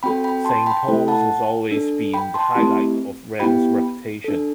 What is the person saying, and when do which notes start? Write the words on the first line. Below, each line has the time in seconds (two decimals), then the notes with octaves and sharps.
Saint Paul's has always been the highlight of Wren's reputation.
0.03 C4 F#4 A4 G5 B5
0.24 G5 B5
0.45 A5 C6
0.66 G5 B5
0.88 A3 E4 A4
1.08 F#5 A5
1.71 D4 A4
2.14 G5 B5
2.34 A5 C6
2.55 A3 C4 E4 G4
3.40 B3 E4 G4 G5 B5
4.24 D4 A4